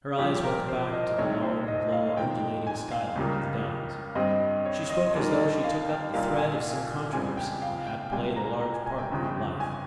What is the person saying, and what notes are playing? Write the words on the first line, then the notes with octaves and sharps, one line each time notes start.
Her eyes went back to the long, low, undulating skyline of the downs. She spoke as though she took up the thread of some controversy that had played a large part in her life.
C2 A#2 F3 G4
A#4
C5
D#5
C2 C3 D#3 C#5
C5
D#5
F5
F2 D#3 G#3 G5
G#5
F5
C#2 C#3 G3 A#3
G2 G3 C4 D#5
C#5
D#5
D#2 D#3 G3 A#3 D#5
F5
G5
C2 A#2 G3 A#3 F5
G#5
C#2 C#3 G3 C4 G#5
G5
F5
G5
C#2 C3 G3 G#5
A#5
A#5
G#5
G#5
G5
G1 F2 C#3
G#5